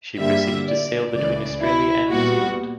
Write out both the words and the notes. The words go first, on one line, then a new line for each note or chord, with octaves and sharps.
She proceeded to sail between Australia and New Zealand.
G2 D3 G3 A#3 E5
D5
C#2 C#3 E3 D5
E4
A#2 G3 B3 F#4